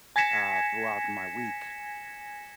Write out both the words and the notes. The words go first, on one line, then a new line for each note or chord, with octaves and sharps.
uh, throughout my week.
G#5 G#6 A#6 B6 C#7 E7